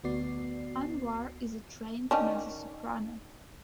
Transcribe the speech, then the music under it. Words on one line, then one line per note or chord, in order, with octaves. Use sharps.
Anwar is a trained mezzo-soprano.
D2 B3 F#4 D5 C7
D#3 C#4 D4